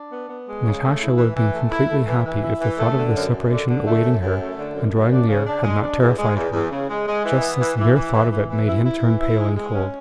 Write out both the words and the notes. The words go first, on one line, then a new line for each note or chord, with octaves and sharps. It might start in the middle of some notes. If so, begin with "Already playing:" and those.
Natasha would have been completely happy if the thought of the separation awaiting her and drawing near had not terrified her, just as the mere thought of it made him turn pale and cold.
Already playing: D4
B3
B3
G#3
C#3
A3
E4
E3
E3
A3
E4
A3
E3
E3
E4
E3
A3
D3
F#2
F#2
D3
D3
A3
F#2
F#2
A3
D3
F#2
F#2
D4
C#3
D4
G#3
D4
E2
G#3
E2
E2
C#3
G#3
G#3
E3
B3
E3
E3
E3
E3
E3
E3
E4
E4
E3
E4
G#3
G#3
C#4